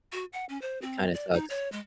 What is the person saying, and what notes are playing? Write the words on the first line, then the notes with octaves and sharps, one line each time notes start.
it kinda sucks,
F#4
F#5
C#4
C5
C4
D5
D#4
C#5
G#3